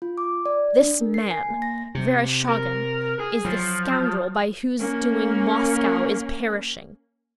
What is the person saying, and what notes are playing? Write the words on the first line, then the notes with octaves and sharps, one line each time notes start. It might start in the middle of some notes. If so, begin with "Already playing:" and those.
"This man, Vereshchagin, is the scoundrel by whose doing Moscow is perishing."
F4
D6
D5
D4
A#4
C7
G#5
A#3
A#6
C3
A#4
G#4
F3 F#3
A#3 C#4